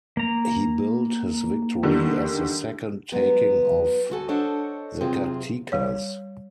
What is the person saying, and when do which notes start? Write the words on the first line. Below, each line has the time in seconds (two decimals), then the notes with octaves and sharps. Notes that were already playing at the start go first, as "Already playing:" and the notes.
He billed his victory as the second taking of Zacatecas.
0.17 A#3 A#5
1.83 D3 D#3 G3
3.12 F#3 G#3 B3 A#4
4.10 D2 F#4 A4 G#5
4.28 D4 A4 C5 C#5 D#5 F#5
5.01 C3 F#3 C4 F4 G#4
5.72 G3 C#5